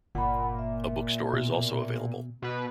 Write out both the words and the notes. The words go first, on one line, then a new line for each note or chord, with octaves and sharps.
A bookstore is also available.
G1 A#2 F#5 B5
E5
B2
B2 B4